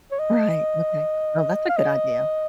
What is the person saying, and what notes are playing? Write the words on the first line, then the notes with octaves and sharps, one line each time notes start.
Right, okay. Well, that's a good idea.
C#5
D#5
F5
D#5